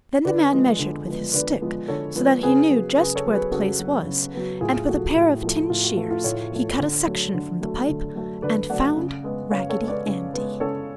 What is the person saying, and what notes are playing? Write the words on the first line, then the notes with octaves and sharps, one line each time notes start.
Then the man measured with his stick, so that he knew just where the place was, and with a pair of tin shears he cut a section from the pipe and found Raggedy Andy.
D3 B4 D5
F3 G#3 B3
D3
F3 G#3 B3
D3 B4 D5
F3 G#3 B3
D3 A4 C#5
F3 G#3 B3
C#3 G#4 B4
F#3 B3
C#3 G#4 B4
A4 C#5
F#3 B3
G#4 B4
C#3 F#4 A4
F#3 B3
C#3
F#3 B3
A2 F4 G#4
F3 A3 F#4
A2
F3 A3
A2 F4
F#4
F3 A3 F4
F4
A2 A4 C#5
F3 A3
D3
F#3 A3
D3
F#3 A3
D3
F#3 A3
D3 B4 D5
F#3 A3 D5 F#5
C#3
G#3 B3
C#3 C#5 F5
A4 C#5
G#3 B3
B4 D5
C#3
G#3 B3
C#3 A4 C#5